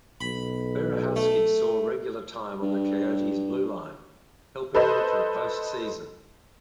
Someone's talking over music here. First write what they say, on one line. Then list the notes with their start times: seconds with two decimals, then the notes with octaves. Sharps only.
Berehowsky saw regular time on the Coyotes blueline, helping them to the post-season.
0.21 B1 B5
1.16 A3
2.62 G2
4.75 A4 B4 C5 D#5